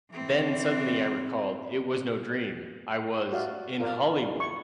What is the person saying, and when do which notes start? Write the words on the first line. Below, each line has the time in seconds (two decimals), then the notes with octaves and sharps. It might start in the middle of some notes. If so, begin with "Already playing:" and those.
Then suddenly I recalled, it was no dream: I was... in Hollywood!
0.11 E3 C4
3.32 F#4 G4 D5 E5 F5
3.80 F4 A#4 D5 F5
4.36 E4 C#6